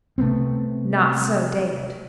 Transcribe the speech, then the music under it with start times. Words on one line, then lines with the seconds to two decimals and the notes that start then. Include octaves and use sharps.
Not so David.
0.18 C3 A3 B3 C4